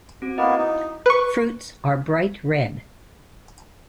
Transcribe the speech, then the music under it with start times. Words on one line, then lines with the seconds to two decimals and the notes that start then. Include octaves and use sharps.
Fruits are bright red.
0.22 C4 F#4
0.38 A#3 B3 E4 D#5
0.58 D#4
1.06 B4 C#6